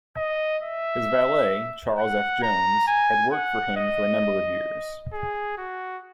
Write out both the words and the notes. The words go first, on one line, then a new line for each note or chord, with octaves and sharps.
His valet, Charles F. Jones, had worked for him for a number of years.
D#5
E5
F#5
A#5
G#5
F#5
D#5
G#4
F#4